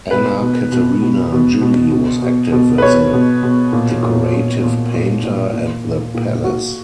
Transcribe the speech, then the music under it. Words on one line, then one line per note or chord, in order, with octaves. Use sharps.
Anna Caterina Gilli was active as a decorative painter at the palace.
B2 B4
B2
B2
B2
B2
B2
B2
B2
B2
B4
B2 C#5
B2
B2
A#2
A#2
A#2
A#2
A#2
A#2
A#2
A#2
A#2
A#2 F#4